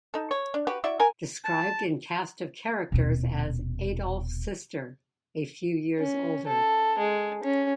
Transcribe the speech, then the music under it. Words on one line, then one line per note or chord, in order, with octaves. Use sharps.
Described in cast of characters as 'Adolf's sister, a few years older.
D#4 A4
C#5
D4
F#4 G4 B4
E4 F#4 D5 E5
A#4 G#5
A5
D#1 B2
C#4
A4
G#3
C#4